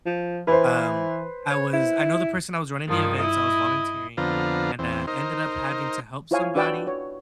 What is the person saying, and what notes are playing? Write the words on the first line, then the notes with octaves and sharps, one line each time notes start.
um, I was I know the person that was running the event, so I was volunteering, and, uh, ended up having to help somebody
F3
E3 B4 C5
C#5
E4
G2 D#3 F3
E4 D#5
F2 D3 B3 F4 C5 A#5
E2 C4
D#4 A#4 C5
E4 F4 C5 C#5 F5 G#5
D4 F#4 B4 D5 G5 E6
C#5